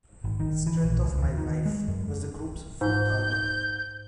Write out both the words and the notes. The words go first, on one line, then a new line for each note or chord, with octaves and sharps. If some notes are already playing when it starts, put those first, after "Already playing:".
"Strength of my Life" was the group's fourth album.
G#1
D#3
E3
A#1
C#2
D#2
D#3
G#3
F#2
G#2 G6